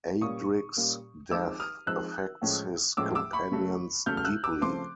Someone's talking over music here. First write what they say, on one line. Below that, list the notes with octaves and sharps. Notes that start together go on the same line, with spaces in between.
Adric's death affects his companions deeply.
A#2 G3 A#3 C#4 C#6 D#6
A#2 G3 A#3 C#4
F3 G#3 C4 D#4 D6 E6
D#6 F6
F3 G#3 C4 D#4 E6 F#6
A2 F3 G#3 C#4
A2 F3 G#3 C#4 D6 E6
D6 E6
B5 C#6
C#3 F#3 A3
C#3 F#3 A3 F6 G6
F6
E6 F#6
D6 E6
C#3 F3 A3 C4 C6 D6